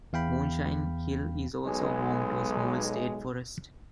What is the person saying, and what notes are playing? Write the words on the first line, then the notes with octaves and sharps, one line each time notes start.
Moonshine Hill is also home to a small state forest.
E2 F5 G5 B5
B1 G#3